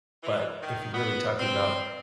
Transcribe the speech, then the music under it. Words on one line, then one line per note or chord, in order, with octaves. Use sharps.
but if you're really talking about
E3
D#3
B3
C4